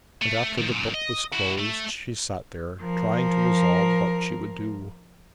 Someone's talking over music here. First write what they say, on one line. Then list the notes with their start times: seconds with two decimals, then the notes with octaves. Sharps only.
And after the book was closed she sat there, trying to resolve what she would do.
0.21 A3
0.58 D#3 F3
0.72 F#2 A#2
0.94 D#5
1.34 E4 F#4
1.60 A3
2.81 F3 A#4